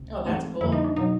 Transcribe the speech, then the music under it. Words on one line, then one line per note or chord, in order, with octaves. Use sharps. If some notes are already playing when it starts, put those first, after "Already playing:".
Oh, that's cool.
Already playing: C#2 C3
G#2 E3 A3 C4
F2 D3 G3 A#3 E4
D#4
D4
B2 F#3 D#4